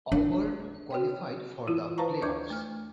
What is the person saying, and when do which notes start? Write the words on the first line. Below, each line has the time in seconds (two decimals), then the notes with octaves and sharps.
Auburn qualified for the playoffs.
0.12 D4
0.91 F#4 C#5 G5
1.67 E3 E4 F4
1.98 B4 C5 F5 A5 A#5 C#6
2.22 D#2 D4 C#6 D6 G6 G#6
2.50 A3 F6